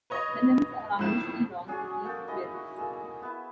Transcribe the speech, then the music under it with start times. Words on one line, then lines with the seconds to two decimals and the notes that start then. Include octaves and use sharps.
The limbs are unusually long for tree squirrels.
0.10 B4 C#5 D#5
0.99 F2 A2 D#3 E4 F#6 E7
1.67 F#3 C#4 D4 G#4
2.04 A#3 F#4 A4 G5
2.28 D#4 E4 G#4 D#5
2.54 F#4
2.77 A#3 G#4 A4
3.22 B3 E4